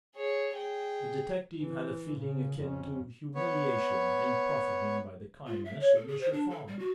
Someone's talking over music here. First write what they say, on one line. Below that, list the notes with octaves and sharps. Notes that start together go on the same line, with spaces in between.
The detective had a feeling akin to humiliation in profiting by the kindness of Mr. Fogg.
G#4 C#5
G#4 G5
E3
C#3
F2 C#4
B3 C#5
F4
E5
C#5
A4
G#4
C5
D4
A4
G3
F#4